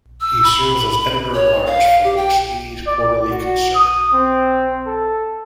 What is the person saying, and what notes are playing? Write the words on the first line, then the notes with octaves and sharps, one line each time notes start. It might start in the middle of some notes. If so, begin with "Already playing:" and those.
He serves as editor-at-large for "McSweeney's Quarterly Concern".
E6
B5
C#5
F5
G4
G5
D5
F#4
D#6
C4
A4